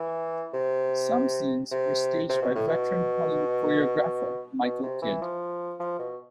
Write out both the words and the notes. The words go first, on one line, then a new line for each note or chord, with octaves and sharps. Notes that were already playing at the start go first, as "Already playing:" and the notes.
Some scenes were staged by veteran Hollywood choreographer Michael Kidd.
Already playing: E3
C3
C3
C3
B2
A2
B2
B2
C3
E3
F3
F3
B2